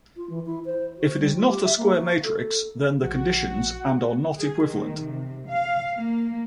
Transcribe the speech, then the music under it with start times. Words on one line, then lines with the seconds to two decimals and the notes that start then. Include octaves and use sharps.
If is not a square matrix, then the conditions and are not equivalent.
0.16 F4
0.29 E3
0.46 E4
0.65 C5
0.98 F#4
1.20 G3
1.36 F4
1.48 G4
1.64 E5
1.77 A#3
1.95 F#4
2.24 A4
3.03 A#1 F3 F#4 F#5
4.36 G#4
4.65 D#3
5.08 C3
5.47 F5
5.98 A#3